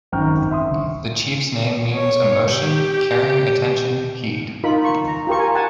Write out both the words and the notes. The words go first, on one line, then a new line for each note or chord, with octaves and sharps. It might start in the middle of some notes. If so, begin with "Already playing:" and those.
The chief's name means "emotion, caring, attention, heed".
G#1 F#2 G5 A#5 C#6 F6
E5 C6 D#6
G1 C#6
C#5
G4
D#4 F4 A#4 B5
C#6
A#5
F4 G4 A#4 C#6
G#5
F#5 G#5 A5